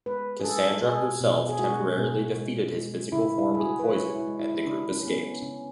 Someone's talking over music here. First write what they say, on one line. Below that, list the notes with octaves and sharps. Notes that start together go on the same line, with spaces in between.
Cassandra herself temporarily defeated his physical form with poison, and the group escaped.
G#3 B4
G#4
G#3 A4
A4
B2 G#4
B2
G#4
G#3 F#4
B2
G#3
G#3
C#3 E4
E4
G#3 G#4
F#4
B4
G#3 C#5
E4
G#3
E4
E4
C#3 D4
C#4
G#3 B3
C#4
C#3 C#4